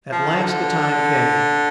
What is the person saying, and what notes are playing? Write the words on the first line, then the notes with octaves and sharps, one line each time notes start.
At last the time came.
F3
D3